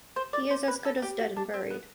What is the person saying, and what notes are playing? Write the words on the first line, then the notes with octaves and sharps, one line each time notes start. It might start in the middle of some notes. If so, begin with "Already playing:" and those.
He is as good as dead and buried.
C5
D5
C5
B4
A4
G4
F#4
D4
C4
B3